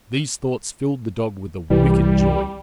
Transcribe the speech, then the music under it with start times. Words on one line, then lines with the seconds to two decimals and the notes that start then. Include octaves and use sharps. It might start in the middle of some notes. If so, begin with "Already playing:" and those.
These thoughts filled the dog with a wicked joy.
1.70 C2 E3 G3